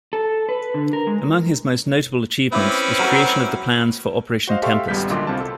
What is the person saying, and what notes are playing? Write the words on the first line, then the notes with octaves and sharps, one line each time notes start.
Among his most notable achievements was creation of the plans for Operation Tempest.
A4
B4
D3
A#4
G#3
C4 C#4 E4 B4 D6
F#3 A#4 A#5
F#4 C5 D#5 F5
G4 A4 E5 F5 C6 C#6
G#1 C#2 G3 B3 G6 B6
A#2 D3 F#3 D#5 C6 D6
C2 C4 F4 A5
A4